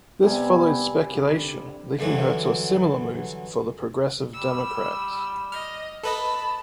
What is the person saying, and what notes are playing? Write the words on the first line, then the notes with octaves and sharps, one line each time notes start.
This followed speculation linking her to a similar move for the Progressive Democrats.
C3 G3 B3 G#5
D3
G2 D3 E3 F#3
G3 E6
D#5 F6
A4 B4 D#5 A5 B5